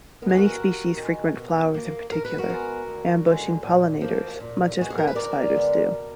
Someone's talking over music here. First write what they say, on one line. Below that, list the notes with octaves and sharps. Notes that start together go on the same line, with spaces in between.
Many species frequent flowers in particular, ambushing pollinators, much as crab spiders do.
G#3 B3 G#4 A#4
F#4 A#4
D#2
D#3 G#3
B2
A#3
B2 A#4
B4
F#4 A#4
G#3 B3
D2
D3 G#3
A#2
F3 A#3
A#2
G#3 B3 F#4
G#4
A#4
B4
D2 A#4 D5
D3 G#3 B3
B2